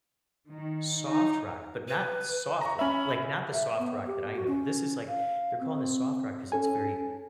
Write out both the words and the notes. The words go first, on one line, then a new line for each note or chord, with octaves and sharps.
soft rock, but not soft rock. Like, not the soft rock that I know. This is like they're calling this soft rock 'cause it's very,
D#3
D#4
B4
A#5 C#6
C#4 E5 B5
E5
B3
G4
F#4
C#4
F5
C4
C#4 A4 G#5